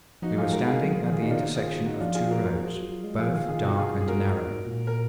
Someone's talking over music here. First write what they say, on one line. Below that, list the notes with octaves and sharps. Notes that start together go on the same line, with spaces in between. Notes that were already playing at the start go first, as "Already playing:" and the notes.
We were standing at the intersection of two roads, both dark and narrow.
F3 D#4 F#4
F#3
F3 F4 G#4
G#3 F#4 A#4
F4 G#4
F#3
F3
D#3 F4 G#4
D#4 F#4
D4 F4
F4 G#4
D#4 F#4
D#4 F#4
F3 D4 F4
F4 G#4
F#4 A#4
F4 G#4
F3
F#3
F#3
G#3
F3 F4 G#4
D#3 F4 G#4
D#3 F4 G#4
B2 D#4 F#4
F4 G#4
F#2
G#4
G#2 F#4 A#4
A#2
A#4